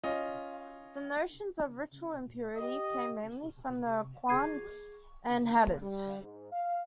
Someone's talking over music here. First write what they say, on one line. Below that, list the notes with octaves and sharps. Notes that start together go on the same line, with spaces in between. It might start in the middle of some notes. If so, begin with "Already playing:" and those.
The notions of ritual impurity come mainly from the Qur'an and hadith.
C#4 F4 D#5
G4 D#5
G#4 D6 G#6 C7 D#7
A#3
G3
G#2
F5